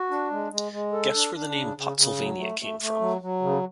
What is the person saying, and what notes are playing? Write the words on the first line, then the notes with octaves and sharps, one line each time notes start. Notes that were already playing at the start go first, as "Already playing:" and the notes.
Guess where the name Potsylvania came from?
Already playing: F#4
D4
G#3
G#3
G#3
A4
D4
D4
C#3
C#3
C#3
F#3
A3
A3
A3
F#3
F#3
C#3